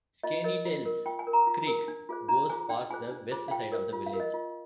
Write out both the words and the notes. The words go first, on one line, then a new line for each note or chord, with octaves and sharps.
Skaneateles Creek goes past the west side of the village.
F4 D#5
A#4 D#5
F4
A#4
F4 G5
G#5
A#4
A#5
F4
A#4
D4
F4 G#4 C5
D4 A#5
F4 G#4 C5 G#5
D4 G5
F4 G#4 C5 G#5
D4
F4 G#4 C5
F5
F4 G5
A#4
F4
F5
A#4
D#5
F4